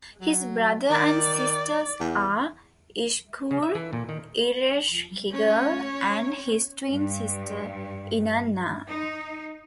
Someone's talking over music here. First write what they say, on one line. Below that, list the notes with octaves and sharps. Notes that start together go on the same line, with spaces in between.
His brother and sisters are Ishkur, Ereshkigal, and his twin sister Inanna.
F#3
D#3 D5
E2
C#3
E5
E3
A#2
D#3
C#4 C#5
G2
D#4